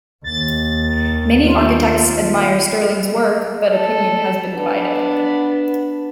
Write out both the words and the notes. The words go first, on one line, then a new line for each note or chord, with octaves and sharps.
Many architects admire Stirling's work, but opinion has been divided.
D#2 A6
F4
A4
B3 D4